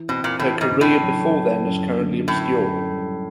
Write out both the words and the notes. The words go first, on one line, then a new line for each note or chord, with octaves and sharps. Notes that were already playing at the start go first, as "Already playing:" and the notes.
Her career before then is currently obscure.
Already playing: E3
B2 C4
A#2
A2 E3
G#2
C#3
A2
F#3
F#3
F#2
D3
F#2 A2
F#2
G3